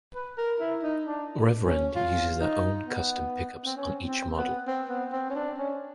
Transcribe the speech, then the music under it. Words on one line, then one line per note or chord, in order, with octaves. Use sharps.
Reverend uses their own custom pickups on each model.
B4
A#4
E4
D#4
D4
C#4
F4
D#4
B3
C4
C#4
C4
B3
C4
B3
C4
C#4
D4
C#4